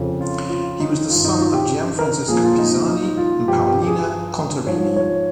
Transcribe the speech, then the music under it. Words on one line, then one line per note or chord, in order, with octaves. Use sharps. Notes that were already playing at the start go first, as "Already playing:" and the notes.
He was the son of Gianfrancesco Pisani and Paolina Contarini.
Already playing: F2 C#3 F3
F4
F4
D#4
G2 D#3 F4
D#4
F4
G4
A#4
A#2 F3 G#4
F4
D#4
D#4
D#4
F4
G2 F3 G4
G4
G4
G#4
G#2 F3 C#5
C#5